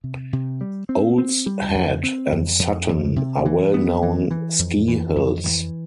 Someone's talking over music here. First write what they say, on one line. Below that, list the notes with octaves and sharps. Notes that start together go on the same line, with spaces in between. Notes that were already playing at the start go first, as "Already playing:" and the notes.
Owl's Head and Sutton are well-known ski hills.
C3
C3
G3
C4
C4
G3
F2
C4
F2
F2
F2
C3
E3
B3
E3
E3
F2
E3
F2
E3